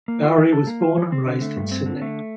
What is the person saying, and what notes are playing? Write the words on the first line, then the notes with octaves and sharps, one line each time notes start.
Bowrey was born and raised in Sydney.
A#3
F4
E3
A4
A#3
F4
E3
C4
D3
A3
G2
C4
D3
A3